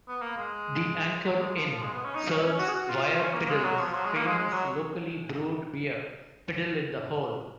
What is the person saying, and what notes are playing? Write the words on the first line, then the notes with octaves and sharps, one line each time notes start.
The Anchor Inn serves Wyre Piddle's famous locally brewed beer 'Piddle in The Hole'.
B3
A#3
G#3
F#3
G#3
F3
F3
G#3
B3
C#4
D#4
C#4
C#4
F#4
G#4
F#4
F4
F4
C#4
A#3
G#3
F#3
F3
F#3
G#3
A#3
G#3
G#3
F#3